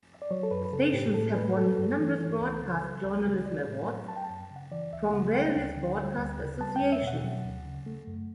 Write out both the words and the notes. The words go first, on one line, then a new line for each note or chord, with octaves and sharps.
The stations have won numerous broadcast journalism awards from various broadcaster associations.
D5
F#3 C#5
A4
F#2 B4
B4
C#3 A4
A2 G4
A2 A4
G3 B4
G3 A4
G2
E3
E3
C#2
C#3
F#3
C#2
C#3
A3 D5
A2
F#3 F#5
F#3 A5
G5
A5
F#2
C#3
F#5
E3 D5
C#2 E5
C#3 F#5
G3 G5
D2
D3
G3
D2
C#3
G3 A5
G5
E2
E5
B2
F#5
F#3
D2
C#3
A3
F#2